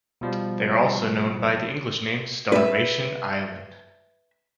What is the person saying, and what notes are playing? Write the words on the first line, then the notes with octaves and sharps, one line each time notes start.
They are also known by the English name "Starvation Island".
B2 F3 G3
B4 E5